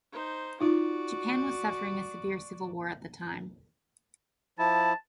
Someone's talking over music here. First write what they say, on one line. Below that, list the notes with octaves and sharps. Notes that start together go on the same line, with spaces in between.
Japan was suffering a severe civil war at the time.
D#4 C5
D#4 F4 F#4 D5
F3 E4 A5